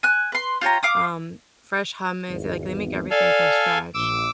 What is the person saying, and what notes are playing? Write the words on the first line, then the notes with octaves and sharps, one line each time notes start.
um, fresh hummus like, they make everything from scratch.
G#5 F#6
B4 C6
F4 G4 C#5 A#5
F5 D6 D#6
G#1 E2
A4 D5 F5 G#5
A#1 D6 E6